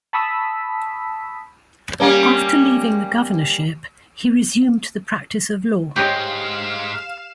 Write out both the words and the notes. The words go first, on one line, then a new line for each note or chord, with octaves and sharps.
After leaving the governorship, he resumed the practice of law.
A5 B5 C#6 D#6 E6 B6
G3 A#3 C#4
G#2 G#3 G4 C#5 D#5 F5 E7